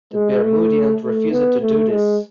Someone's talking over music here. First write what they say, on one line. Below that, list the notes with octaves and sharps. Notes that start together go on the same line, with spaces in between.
The Bermudians refused to do this.
G#3
A3
A3
B3
A3
G#3